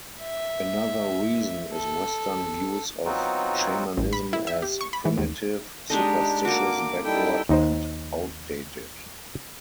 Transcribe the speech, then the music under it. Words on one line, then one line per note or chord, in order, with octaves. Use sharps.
Another reason is western views of shamanism as 'primitive', 'superstitious', backward and outdated.
E5
A4
F#3 B3 C4 D#4 F4 F#4
A1
B5
E4
E5
G4
C#6
B5
E3
D#2
G#3 D4 D#4 G4 A4 D#5
A#3 F#4 D6
G3 D#4 E4 A4 G5
D#2 D#4 C5